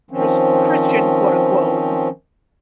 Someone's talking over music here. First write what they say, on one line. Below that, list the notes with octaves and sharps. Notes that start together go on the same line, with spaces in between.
Chris Christian, quote unquote.
D#3 F3 C4 C#4